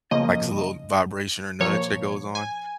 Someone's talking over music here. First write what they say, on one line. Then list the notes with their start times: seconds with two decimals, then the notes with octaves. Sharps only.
like, it's a little vibration or nudge that goes on.
0.11 C#3 F3 A#3 D#5
1.60 A#2 F3 A#3 C#5
2.35 G#5